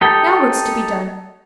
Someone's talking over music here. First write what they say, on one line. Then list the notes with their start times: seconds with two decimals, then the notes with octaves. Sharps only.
Now what's to be done?
0.01 D#4 G4 A4 G5